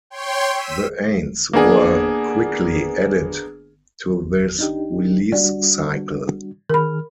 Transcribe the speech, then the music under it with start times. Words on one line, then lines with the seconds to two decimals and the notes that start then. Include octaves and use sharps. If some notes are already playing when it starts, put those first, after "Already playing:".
The Aints were quickly added to this release cycle.
0.10 C#5 G5 C6
0.53 E6 B6 D#7
1.53 A#3 B3 D4 G#4
4.59 D4 D#4 G4
5.32 G3 D4 F#4 D5
6.70 D#3 G#4 A#4 B5 F6